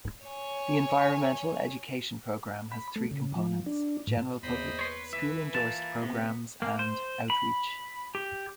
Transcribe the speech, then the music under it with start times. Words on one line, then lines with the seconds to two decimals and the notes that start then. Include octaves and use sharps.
The environmental education program has three components: general public, school-endorsed programs, and outreach.
0.24 C#5 G#5
2.72 B5
2.96 A3
3.11 C#3
3.35 F3
3.66 D4
4.07 A2
4.43 E2 A#3 C5 D#5 B5
4.79 B4 C#5 C6
5.13 E3 E5
5.54 A#3 F4 A5
6.02 C3 B3
6.62 A#3
6.79 C5
7.30 B5
8.15 G4